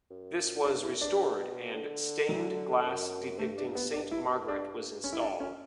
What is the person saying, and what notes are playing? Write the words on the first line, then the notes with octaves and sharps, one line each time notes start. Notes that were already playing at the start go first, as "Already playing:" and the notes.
This was restored and stained glass depicting Saint Margaret was installed.
F#2
F#2 D4
G2
E4
F#2
G2 D4
B2
D3
F#3
F#2
G2 A3
D4
B3
D4
E4
D4
C#4
E4
D4
C#4